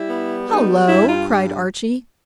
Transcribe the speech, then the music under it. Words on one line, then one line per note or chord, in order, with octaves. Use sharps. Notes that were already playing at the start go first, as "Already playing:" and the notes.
"Hullo!" cried Archy.
Already playing: G3 E4
B3
G3 D#4
G2 E4
F4